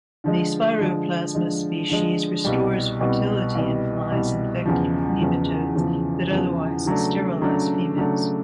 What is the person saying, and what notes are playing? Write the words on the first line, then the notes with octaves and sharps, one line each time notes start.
The Spiroplasma species restores fertility in flies infected with nematodes that otherwise sterilize females.
D3 F3 G#3
D3 F3 G#3
D3 F3 G#3
D3 F3 G#3
C2 B2 G3
C2 B2 G3
C2 B2 G3
C2 B2 G3
E2 C#3 F3
E2 C#3 F3
E2 C#3 F3
E2 C#3 F3
C#3 F#3 A3 D4
C#3 F#3 A3 D4
C#3 F#3 A3 D4